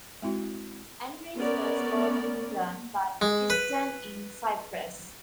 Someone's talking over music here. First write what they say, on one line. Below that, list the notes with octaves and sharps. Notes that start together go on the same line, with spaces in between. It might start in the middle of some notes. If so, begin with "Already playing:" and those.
Andreas was born in England but christened in Cyprus.
G#3 C4 E4 F#4
B3 C#4 A#4 D5
G#3
B4